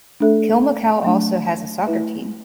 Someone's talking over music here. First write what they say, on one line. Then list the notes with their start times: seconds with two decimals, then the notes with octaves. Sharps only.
Kilmacow also has a soccer team.
0.20 A3 D4 A4 E5
1.03 F#3 A3 D4
1.86 A3 E4 B4 E5